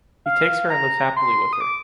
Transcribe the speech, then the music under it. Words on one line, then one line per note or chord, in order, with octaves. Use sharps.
He takes her and lives happily with her.
F5
A#5
C6
D#6
D6